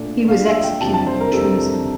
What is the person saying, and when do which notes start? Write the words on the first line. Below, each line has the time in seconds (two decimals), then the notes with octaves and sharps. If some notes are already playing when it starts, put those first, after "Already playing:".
He was executed for treason.
Already playing: A#2 A3 D4
0.28 A#2 A3 D4 F5
0.46 E5
0.64 G5
0.81 F2 C3 G3 D4 A5
0.94 A5
1.07 C5
1.20 A#4
1.32 F2 C3 G3 D4 A4